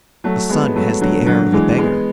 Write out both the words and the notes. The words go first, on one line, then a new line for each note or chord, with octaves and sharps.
The sun has the air of a beggar.
F#3 A3
G#3 B3
F#3 A3
D3 F#3
D3 F#3
E3 G#3
G#3 B3